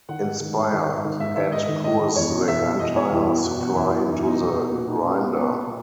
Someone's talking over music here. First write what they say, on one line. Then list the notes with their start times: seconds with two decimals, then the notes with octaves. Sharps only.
Inspired, Ed pours the entire supply into the grinder.
0.09 D#3 F#5
0.24 G#2
0.40 D#3
0.56 G#2
0.72 D#3
0.88 G#2
1.04 D#3
1.20 G#2 E5
1.36 D#3 E5
1.52 G#2 D#5
1.68 D#3
1.84 G#2 D#5
2.00 D#3
2.16 E2 C#5
2.32 B2
2.48 E2 E5
2.64 B2
2.80 E2 D#5
2.96 B2 C#5
3.12 E2 E4
3.28 B2
3.44 E2 F#4
3.60 B2 F#4
3.76 E2 E4
3.92 B2
4.08 E2 D#4
4.17 E4
4.24 B2 D#4
4.40 E2
4.56 B2
4.71 A#2 F#4
4.88 D#4
5.04 A#2 C#4
5.20 B3
5.36 A#2 B3
5.67 A#2